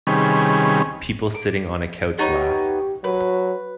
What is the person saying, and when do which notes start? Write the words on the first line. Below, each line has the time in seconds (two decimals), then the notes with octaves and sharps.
People sitting on a couch laugh.
0.07 C3 D#3 G3 C#4 G#4 B4
1.34 D6
2.19 B3 D#4 G4 C#5
3.04 F#3 B4